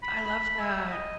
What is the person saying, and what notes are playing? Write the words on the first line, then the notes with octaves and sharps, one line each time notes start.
I love that.
B5
B5
E5
D#5